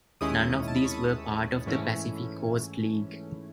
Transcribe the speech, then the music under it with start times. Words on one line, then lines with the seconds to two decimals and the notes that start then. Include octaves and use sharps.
None of these were part of the Pacific Coast League.
0.21 D#2 D#3 G#3 C#4 E4 D#6
0.68 A5
0.76 B5
0.85 C#6
0.94 D#6
1.66 G#2 E3 A3 C#4 E4